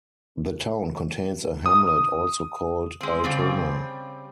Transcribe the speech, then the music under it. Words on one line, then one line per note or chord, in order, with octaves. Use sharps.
The town contains a hamlet also called Altona.
D#6
G#3 C4
C#3 G3 C4